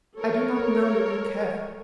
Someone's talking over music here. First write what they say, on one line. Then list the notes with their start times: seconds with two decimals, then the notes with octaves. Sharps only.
I do not know, nor care.
0.18 A4 A#4 C#5